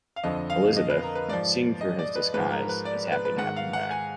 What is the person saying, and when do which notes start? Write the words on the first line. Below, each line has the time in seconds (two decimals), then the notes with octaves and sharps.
Elizabeth, seeing through his disguise, is happy to have him back.
0.16 F5
0.24 F2 D3 F3 D#5
0.50 F5
0.77 D#5
0.90 B4
1.03 A#4
1.15 B4
1.28 G#2 F3 D5
1.81 D#5
1.99 D5
2.16 B4
2.34 G#2 F3 B4
2.51 A#4
2.69 B4
2.85 D5
3.12 B4
3.25 B4
3.38 G#2 D#3 F#5
3.56 F5
3.73 F#5
3.91 G#5